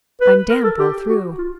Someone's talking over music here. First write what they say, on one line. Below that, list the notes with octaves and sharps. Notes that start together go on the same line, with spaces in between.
I'm damp all through.
B4
A#4
A4
G4
F#4
F4